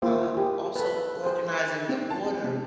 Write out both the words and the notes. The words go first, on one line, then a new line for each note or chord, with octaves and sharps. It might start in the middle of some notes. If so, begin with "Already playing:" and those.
uh, also organizing the order
A#3 E4 F4 G#4 C5
G4 G#4
A4 B4
G#4 C5
C4
A5
G#3
C3